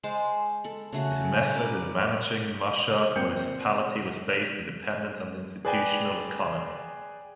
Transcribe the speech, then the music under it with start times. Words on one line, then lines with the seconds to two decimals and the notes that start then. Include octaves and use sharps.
His method in managing Mashhad Municipality was based on dependence on institutional economy.
0.03 G#3 C5 A5
0.64 A4 B5
0.92 C#3 A3 F#4
1.55 A#4 B4 D5 D6
3.16 A#2 C4 C5 G5 G6 C#7
5.65 G#4 B4 D5 G5 G#5